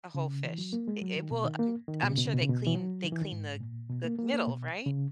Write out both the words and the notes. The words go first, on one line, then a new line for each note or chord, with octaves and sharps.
A whole fish. It it will I'm I'm sure they clean they clean the the middle, right?
C#3
E3
F#3
A#3
G#3
F#3
D#3
B2
D#3
A#3
D#3
B2
C#3
B2
C#3
B2
C#3
B2
E3
F#3
D#3
E3
D#3
G#2
A#2
B2
A#3
A#3
A#3
B2
C#3